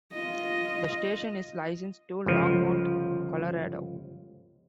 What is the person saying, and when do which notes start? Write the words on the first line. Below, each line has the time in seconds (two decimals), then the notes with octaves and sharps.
The station is licensed to Longmont, Colorado.
0.13 F4 D#5
2.26 G1 C#2 F3